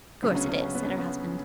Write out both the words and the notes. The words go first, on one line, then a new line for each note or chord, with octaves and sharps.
"Course it is!" said her husband.
D2 C#3 F#3 B3
C#4
C#4
C#4
B3
C#4
B3